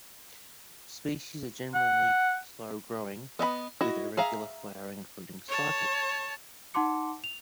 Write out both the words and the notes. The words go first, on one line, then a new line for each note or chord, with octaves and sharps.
Species are generally slow growing with irregular flowering and fruiting cycles.
F#5
B3 D#5 E5 B5
E4 F#4 D#5
G#4 E5 F5 A#5
C#5 A5
D#4 F#5 A5 C6 D6 C#7
F7